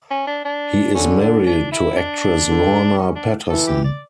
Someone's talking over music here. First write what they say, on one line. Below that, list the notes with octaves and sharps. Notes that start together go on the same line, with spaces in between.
He is married to actress Lorna Patterson.
C#4
D4
D4
D3 C#4
D4
D4
E4
D4
D3
C#4
D4
E3 A4
G4
D5